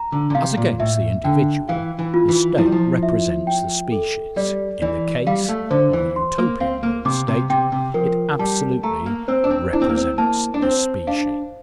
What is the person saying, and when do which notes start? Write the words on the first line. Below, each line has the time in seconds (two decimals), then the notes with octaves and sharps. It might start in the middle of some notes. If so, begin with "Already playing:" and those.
As against the individual the state represents the species, in the case of the Utopian World State it absolutely represents the species.
Already playing: A#5
0.12 D3
0.30 D3
0.35 C3 F5
0.57 A#2
0.80 A2 E5
1.24 D3 G5
1.69 E3 F5
1.99 E3
2.14 F4
2.29 E3
2.58 F3 E4
2.66 G3
2.72 F3
3.03 E5
3.47 G5
3.92 A4
4.36 G3 D5
4.82 E3 D5
5.27 G3 F5
5.49 A3
5.71 D3 C5
5.93 E3
6.16 C6
6.38 A#3
6.60 C4 F5
6.83 A#3
7.05 C3 D6
7.28 C3
7.50 C3 G5
7.72 C3
7.94 F3 A#4
8.39 G3 A5
8.83 A3 A#5
9.06 A#3
9.28 C4 C5
9.44 D4
9.51 C4
9.73 D4 E4
9.82 C4
9.89 A#3
9.97 C4
10.18 A#3 A5
10.54 D4
10.62 C4 C5
11.07 D4 F5